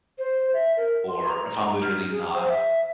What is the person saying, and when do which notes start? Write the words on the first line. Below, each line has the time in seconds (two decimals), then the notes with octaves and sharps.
or if I'm literally not
0.18 C5
0.53 E5
0.76 A#4
1.08 C6
1.27 A#5
1.82 F6
2.10 G#4
2.34 C5
2.49 E5